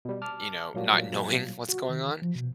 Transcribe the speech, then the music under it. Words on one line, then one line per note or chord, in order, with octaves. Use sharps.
you know, not knowing what's going on
B2 G3
A5 D6 F6
A#2 F#3 G3 A#3 F#4
F#4
D#3
F3
B2